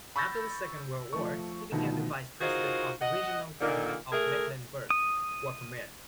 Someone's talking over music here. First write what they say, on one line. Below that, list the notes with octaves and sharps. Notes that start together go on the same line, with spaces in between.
After the Second World War, he became the Vice President of the Regional Government of Mecklenburg-Vorpommern.
B5 C#6 E6 G6 A6 A#6
F3 A3 C#6
B2 D3 D#3 F3 A3
D#4 F4 F#4 G#4 A#4 C5
D#5 F#5
A#2 D3 D#3
A3 G#4 A#4
D#6